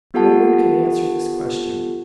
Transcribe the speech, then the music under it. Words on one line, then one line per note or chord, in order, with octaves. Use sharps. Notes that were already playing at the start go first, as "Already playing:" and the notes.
No one could answer this question.
B3 F4 G4 A4 F#5 A5